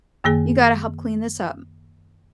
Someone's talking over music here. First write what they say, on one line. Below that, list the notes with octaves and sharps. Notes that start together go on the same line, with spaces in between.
you gotta help clean this up."
F#2 D#3 A#3 G#4